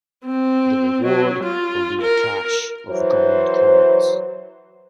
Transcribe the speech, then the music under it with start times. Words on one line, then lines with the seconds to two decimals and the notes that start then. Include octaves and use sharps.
The reward will be a cache of gold coins.
0.25 C4
1.05 F#3
1.44 F4
2.01 A#4
2.91 E3 F#3 C5